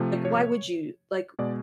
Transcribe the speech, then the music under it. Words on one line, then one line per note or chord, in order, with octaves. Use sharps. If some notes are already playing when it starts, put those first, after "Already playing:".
why would you like,
Already playing: C3 F3 A3
C#5
B2 G#3 D5